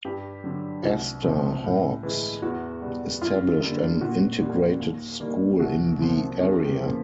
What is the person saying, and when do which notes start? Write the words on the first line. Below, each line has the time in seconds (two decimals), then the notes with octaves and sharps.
Esther Hawks established an integrated school in the area.
0.05 G2 G4
0.44 D3 F#3
0.83 C2 F#4
1.23 C3 F3
1.63 A2
2.03 E3 G#3
2.42 E2 F#4
2.82 B2 G3
3.22 F#2 F4
3.61 D3 G3 A#3
4.01 A#2 F#4
4.41 G3 A#3
4.80 D#2
5.20 D#3 G3 A#3
5.60 C2 F#4
5.99 C3 F3 A#3
6.39 E2 G#4
6.65 G4
6.78 C#3 F3 A#3